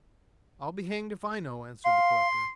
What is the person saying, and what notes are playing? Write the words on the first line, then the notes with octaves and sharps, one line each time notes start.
"I'll be hanged if I know," answered the collector.
F5 C6